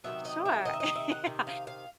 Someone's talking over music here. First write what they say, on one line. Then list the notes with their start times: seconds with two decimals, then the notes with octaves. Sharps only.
Sure. Yeah,
0.04 C3 D#3 F#3 B3 E5
0.25 D#5
0.45 E5
0.65 C3 D#3 D#5
0.73 E5
0.80 D#5
0.95 E5
1.11 F#5
1.27 C3 D#3
1.47 F5
1.67 F5